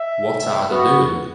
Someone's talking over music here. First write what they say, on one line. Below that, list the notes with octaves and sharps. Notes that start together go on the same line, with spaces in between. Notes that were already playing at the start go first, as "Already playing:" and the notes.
What are the doing?
Already playing: E5
B3 F#4